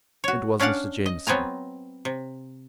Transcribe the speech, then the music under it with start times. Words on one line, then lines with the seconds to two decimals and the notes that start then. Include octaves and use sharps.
It was Mr. Jamieson.
0.24 F#4 C#5
0.60 C#4 D4 D5 F5 F#5
1.06 D#5
1.27 F#3 B3 C4 G#5 A#5
2.05 C3